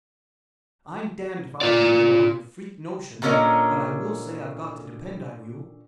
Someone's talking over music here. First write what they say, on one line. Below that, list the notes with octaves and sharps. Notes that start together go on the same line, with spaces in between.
I'm damned if I'll agree to all your freak notions, but I will say I've got to depend on you.
F4 D5
A#2 D3 C#4 A#4 C#5 D#5